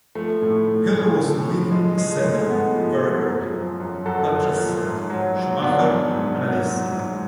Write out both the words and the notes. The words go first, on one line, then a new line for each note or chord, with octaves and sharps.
Hill was leading Senna, Berger, Patrese, Schumacher and Alesi.
F3 A3
A2
A2
A2
F3
F3
F3 G#3
F3 G#3
G#2 A3
G#2 G#3 B3
F3
F3
F#2
F3
F#2
F#2 F#4 A4
F#2
F3
G#2
F#3
F#3
F#3 B3 D4
G#2
G#2
F#3
F#3
G#2